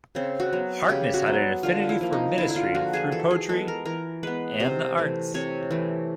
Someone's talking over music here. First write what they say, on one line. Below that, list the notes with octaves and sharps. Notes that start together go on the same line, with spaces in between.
Harkness had an affinity for ministry through poetry and the arts.
C#3 C4
F#4
F#3 B3
C#3 G4
F#4
F#3 B3
D3 F4
E4
F3 A#3
D#4
D3 E4
E4
F4
F3 A#3 F#4
G#4
E3 A4
G#4
G#3 B3 A4
A#4
E3 A#4
G#3 B3 B4
C3 C5
E3 A3
C3 C#5
E3 A3